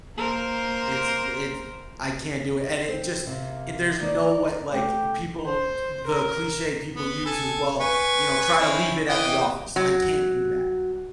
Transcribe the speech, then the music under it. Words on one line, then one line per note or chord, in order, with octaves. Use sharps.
It's d it's I can't do it, and it just i there's no way like, people t the cliché people use is, "Well, you know, try to leave it at the office." I can't do that.
A#3 A#4 C5
C4
C3 A#3
A#3 B3 D#4 D5
A3 G4
C5
A#4
B3
A4 G#5
B4 G#5 C#6
C4 C#4 E4
E3 D#5 G5
F#3